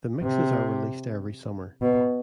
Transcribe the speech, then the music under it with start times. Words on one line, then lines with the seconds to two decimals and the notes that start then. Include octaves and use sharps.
The mixes are released every summer.
0.22 C3
1.81 B2